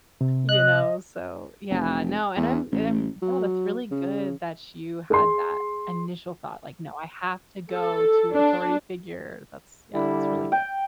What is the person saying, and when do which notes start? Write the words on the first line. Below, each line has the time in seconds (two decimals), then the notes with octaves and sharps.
you know? So yeah, no and I'm I'm no that's really good that you had that initial thought, like, no, "I have to go to authority figure." That's, yeah, that's really good.
0.21 C3
0.49 D#5 F#6
1.70 F1
2.37 E2
2.72 A1
3.22 F#3
3.91 C#3
5.10 G#4 C6
7.72 A4
8.34 D4
9.94 D3 G3 E4
10.52 G5